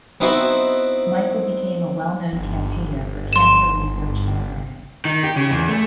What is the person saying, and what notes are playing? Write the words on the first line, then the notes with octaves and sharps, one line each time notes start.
Michael became a well-known campaigner for cancer research and awareness.
B3 C4 D#4 E4 F#4 C5
G1
C6 E7
D#3
G4
C#3
E2
A3